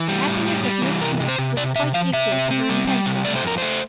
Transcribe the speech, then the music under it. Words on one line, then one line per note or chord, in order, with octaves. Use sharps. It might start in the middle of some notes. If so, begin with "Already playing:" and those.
The happiness of Miss Smith was quite equal to her intentions.
Already playing: E3
G3
A2
G3
G3
E3
C3 A#4
C3
C5
C3
C3 D5
C3 E5
F3 F5
C3 E5
C4
C4
G3
G3
C3
A3 D5
C5
F2 A#4
A3 C5